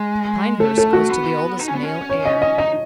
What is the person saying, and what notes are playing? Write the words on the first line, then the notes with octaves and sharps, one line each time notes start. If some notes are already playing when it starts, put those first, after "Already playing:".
Pinehurst goes to the oldest male heir.
Already playing: G#3
A3 A4
A4
F#4
B3
D#4
C#4
B3
C#4
C#5
D#5
D#5
D#4 D#5